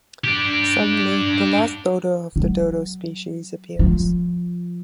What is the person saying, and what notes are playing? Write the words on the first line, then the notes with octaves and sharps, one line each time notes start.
Suddenly, the last dodo of the dodo species appears.
D4 G4
F#3
F3